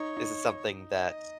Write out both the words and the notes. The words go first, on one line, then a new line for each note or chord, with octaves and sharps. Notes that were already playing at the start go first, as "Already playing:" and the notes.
This is something that,
Already playing: D#4 C#5
D#4
D#5